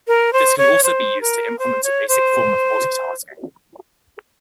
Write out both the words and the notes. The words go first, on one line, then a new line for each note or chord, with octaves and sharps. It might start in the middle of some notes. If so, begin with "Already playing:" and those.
This can also be used to implement a basic form of multitasking.
A#4
C5
C#5
C5
A#4
C5
C#5
C5